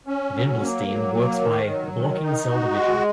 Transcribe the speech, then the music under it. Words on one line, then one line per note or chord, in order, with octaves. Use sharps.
Vinblastine works by blocking cell division.
C#4
F#3
A#3
F#3
A#3
D#3
F#3
D#3
D#4
F#4
G#3